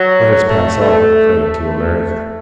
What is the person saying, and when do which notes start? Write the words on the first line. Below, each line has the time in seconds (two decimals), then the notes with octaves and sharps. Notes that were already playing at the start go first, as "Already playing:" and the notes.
"Let us pass on, pray, to America."
Already playing: F#3
0.47 A3
0.79 A3
1.41 A3